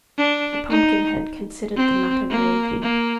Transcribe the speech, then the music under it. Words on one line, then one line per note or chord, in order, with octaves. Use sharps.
The Pumpkinhead considered the matter gravely.
D4
D#4
C4
A#3
A#3